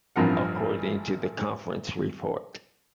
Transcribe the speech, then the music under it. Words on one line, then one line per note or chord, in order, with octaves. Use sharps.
According to the Conference Report.
A1 G2 F3 A#4 F#5